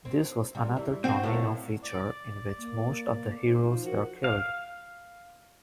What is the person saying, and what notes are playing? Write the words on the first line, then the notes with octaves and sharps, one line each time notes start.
This was another Tomino feature in which most of the heroes were killed.
C4
C3 G3
E3
C4 F#4 C5
A2 A#3 G4 F5
D5
A#3
F3 D#4
F#4 A#4
F5